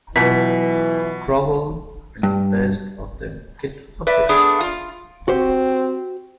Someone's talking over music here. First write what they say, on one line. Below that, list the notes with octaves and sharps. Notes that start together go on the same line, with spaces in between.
Grovel, and the best of them get uppish.
B2 E3 F#3 F4 B6
G2
B4 D5 E5
A3 B3 D4 G#4
F4
C4 F#4 G4 C5